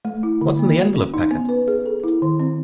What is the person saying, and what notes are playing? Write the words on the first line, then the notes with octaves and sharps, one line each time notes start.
What's in the envelope packet?
A3
E4
D3
A#3
F#4
C#4
D#4
B3
B4
G#4
A4
E4
D#3
C4